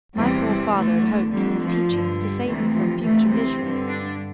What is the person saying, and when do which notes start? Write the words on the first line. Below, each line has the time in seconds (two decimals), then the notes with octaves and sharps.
My poor father had hoped, with his teachings, to save me from future misery.
0.16 E2 C3 E3 G3
0.45 G3
0.73 E2 D3 A3
1.31 F2 D3 G3
1.60 F3
1.89 G2 D3
2.18 G3
2.46 D2 C3 E3 A3
2.75 F3
3.04 D2 C3 E3 A3
3.33 C4
3.61 G2 D3
3.90 D4